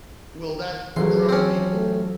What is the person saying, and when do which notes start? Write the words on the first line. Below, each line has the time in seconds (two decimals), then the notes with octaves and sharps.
Will that drown people?
0.96 A1 E3 F#3 G#4 C6
1.29 C4 C#4
1.74 A3